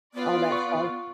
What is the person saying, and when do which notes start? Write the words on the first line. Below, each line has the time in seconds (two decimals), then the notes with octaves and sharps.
all that stuff.
0.14 B3 F4 D5
0.52 C#6